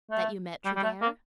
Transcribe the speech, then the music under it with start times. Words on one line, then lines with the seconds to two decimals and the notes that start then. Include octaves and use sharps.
"That you met Tregear?"
0.11 A3
0.65 G3
0.76 G3
0.83 A3
1.02 A#3